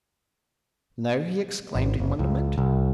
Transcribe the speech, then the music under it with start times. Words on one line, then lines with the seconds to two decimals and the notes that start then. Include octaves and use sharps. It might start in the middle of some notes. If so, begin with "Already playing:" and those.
"No?" he exclaimed, in wonderment.
1.75 G#1
2.00 F#1
2.19 C#2
2.58 C2